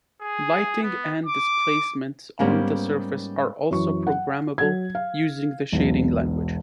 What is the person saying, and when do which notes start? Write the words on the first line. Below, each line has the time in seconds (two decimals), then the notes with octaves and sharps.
Lighting, and displacements on the surface, are also programmable using the shading language.
0.21 G#4
0.83 B3
1.26 D6
2.39 G#2 G3 A#3 B3 C#4
3.71 F#2 E3 C#6
4.07 F#5
4.58 F#3 F#5 G#6
4.95 F5
5.72 E1 B1